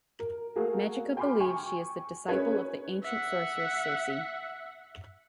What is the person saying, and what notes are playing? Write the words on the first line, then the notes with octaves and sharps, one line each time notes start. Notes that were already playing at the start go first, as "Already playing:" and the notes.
Magica believes she is the disciple of the ancient sorceress Circe.
A#4
A3 A#3 F#4 G#4 A#4 F5
G5 G#5 B5 C6 D6 F6
G5 G#5 C#6
C#4 G#4 A#4 B4 C#5
E5 F#5